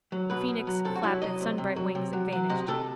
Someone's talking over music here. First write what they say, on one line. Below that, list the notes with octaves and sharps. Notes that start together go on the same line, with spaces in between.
The Phoenix flapped its sunbright wings and vanished.
F#3
B2 B4
B2
F#3
C3 A4
F#4
F#3 E4
F#3 D#5
C3
C3
F#3
C3
F#3
F#3
C3 D#5
C3 A4